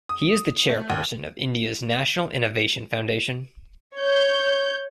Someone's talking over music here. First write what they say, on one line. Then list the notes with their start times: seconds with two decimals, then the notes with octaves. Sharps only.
He is the Chairperson of India's National Innovation Foundation.
0.09 D#6
0.69 A3
0.90 D#2
3.97 C#5 G6